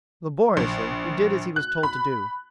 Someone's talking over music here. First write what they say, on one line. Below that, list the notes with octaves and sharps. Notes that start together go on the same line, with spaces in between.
Laboriously, he did as he was told to do.
A#1
F#6
B5